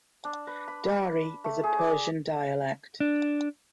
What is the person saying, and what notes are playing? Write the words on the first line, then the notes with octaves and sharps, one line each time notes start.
Dari is a Persian dialect.
D4
B4
B5
A3
G#4
D5
D4